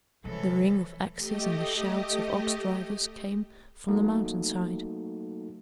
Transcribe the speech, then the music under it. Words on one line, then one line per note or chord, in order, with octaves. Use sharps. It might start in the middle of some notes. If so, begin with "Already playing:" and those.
The ring of axes and the shouts of ox-drivers came from the mountain side.
C3 E3 F3 G#3 A4 B4 C#5
A3 G4 D#5
F#3 A3 A#3 D#4 F#4 A4